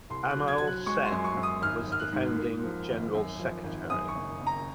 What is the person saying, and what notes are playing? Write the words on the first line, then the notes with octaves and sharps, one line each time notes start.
Amal Sen was the founding general secretary.
C2 C6
F#6
F#3
G#6
F#3 G#6
F#6
G#3 C#6
C6
F#2
C#6
F#2
D#6
G#1 F6
G#1
F6
F#6
G#2
A#3
F3
G#1
F#2
F3
G#1
F#2 D#6
C#6
F#1
F#1
A#5